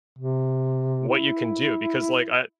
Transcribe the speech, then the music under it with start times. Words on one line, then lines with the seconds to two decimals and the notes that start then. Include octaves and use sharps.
what you can do, because, like, I, eh, eh
0.19 C3
1.09 E4